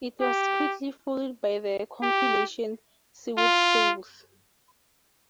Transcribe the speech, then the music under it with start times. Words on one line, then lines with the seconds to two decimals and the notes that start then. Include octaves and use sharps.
It was quickly followed by the compilation "Sewed Soles".
0.21 G4
2.03 G4
3.38 F4